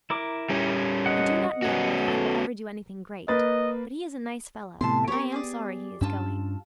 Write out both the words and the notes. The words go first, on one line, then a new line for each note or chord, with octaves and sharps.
I do not know whether he will ever do anything great, but he is a nice fellow, and I am sorry he is going.
E4 A#4 D6
G3 C#4
D#5 F#5
B3 C#4 F#4
A4
A#3 B4 D#5 A6
A2 C3 B3 A5 C6
G4 A#4 C#5
G#4 C5 D5
G2 C#4 D4 F4 A5 E6